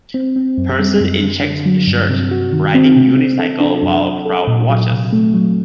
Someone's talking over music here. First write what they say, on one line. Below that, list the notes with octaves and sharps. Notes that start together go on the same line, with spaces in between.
Person in checked shirt riding unicycle while crowd watches.
C4
C4
F#2
G3
F#2
D3
D3
F#3
G2
C3
F#4
D#3
C4
C3
C3
A4
D4
F#2
F#2
A4
A#2
F#3
C3
A3
F#3